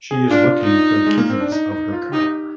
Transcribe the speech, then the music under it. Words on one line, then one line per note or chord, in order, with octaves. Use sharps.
She is looking for the keys of her car.
G#4
D4 F4
D#4
G#3
A#3
C4
D4
D#4
D#4
F4
D#4 G4